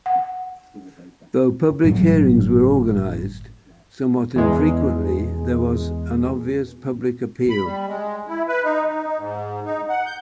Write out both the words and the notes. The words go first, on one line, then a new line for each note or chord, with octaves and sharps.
Though public hearings were organized somewhat infrequently, there was an obvious public appeal.
F#5
G1 A2 C#3 F#3
E2 G#3
B5
G3
G#3
E4
B4
D#4
D#4
G#2
D#4
F#5
G6